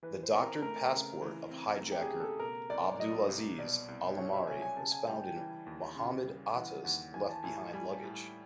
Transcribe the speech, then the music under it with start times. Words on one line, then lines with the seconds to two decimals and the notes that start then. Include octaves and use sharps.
The doctored passport of hijacker Abdulaziz Alomari was found in Mohamed Atta's left-behind luggage.
0.03 E3 B4
0.23 C5
0.33 C4
0.42 A#4
0.62 A3 A#4
0.92 C#3
1.22 E3
1.51 C4
1.81 A3
1.92 G4
2.01 G#4
2.10 C#3
2.20 A4
2.39 B2 A#4
2.70 C2 D5
2.99 F#3 D#5
3.29 C2
3.58 B2 D5
3.88 C2
4.17 F#3 C#5
4.33 E5
4.47 C2 G#5
4.62 G#5
4.76 C#3 A5
4.92 G#5
5.07 G3 G5
5.22 G5
5.36 E3
5.66 D#2
5.96 C#3
6.25 G3
6.55 E3 F#5
6.84 D#2 F#5
7.14 E3 G#5
7.29 A5
7.44 A2 G#5
7.73 G3 G#5
8.03 A2